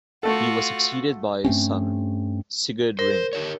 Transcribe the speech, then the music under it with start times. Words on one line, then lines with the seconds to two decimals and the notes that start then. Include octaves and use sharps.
He was succeeded by his son Sigurd Ring.
0.23 A3 F4 F#4 A4
1.45 G2 A3 C4 C#4
2.99 A#4 C5
3.33 D#4 G4 C#5